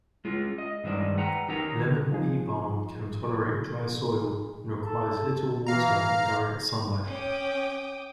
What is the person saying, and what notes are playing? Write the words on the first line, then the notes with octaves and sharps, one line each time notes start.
Lemon beebalm can tolerate dry soil, and requires little water and direct sun light.
G#3 F4 G#4
D#5
G2 D#3 G#3 C5 D5
B4 F#5 G5 A#5
D#3 D#4 G4 A#4 G5 A#5
F3 D#4 G#4
A4
E3 F5 A#5
C#4 G5 D6 D#6